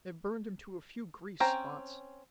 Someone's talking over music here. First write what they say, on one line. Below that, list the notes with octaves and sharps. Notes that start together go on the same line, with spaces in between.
It burned him to a few grease spots.
C4 C#4 G5 A#5